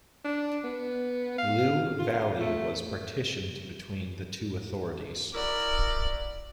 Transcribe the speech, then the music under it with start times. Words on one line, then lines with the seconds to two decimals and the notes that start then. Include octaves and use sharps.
Lliw Valley was partitioned between the two authorities.
0.24 D4
0.64 B3
1.38 F5
1.99 F4
2.41 A3
5.34 E4 F#4 A#4 D5